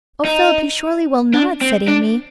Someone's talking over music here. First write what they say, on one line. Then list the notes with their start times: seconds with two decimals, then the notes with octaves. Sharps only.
'O Philip, you surely will not?' said Amy.
0.25 D#4
1.33 D4
1.61 C4
1.88 D4